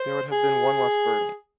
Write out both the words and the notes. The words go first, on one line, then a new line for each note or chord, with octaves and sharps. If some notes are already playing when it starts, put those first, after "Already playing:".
There would have been one less burden.
Already playing: C5
G#4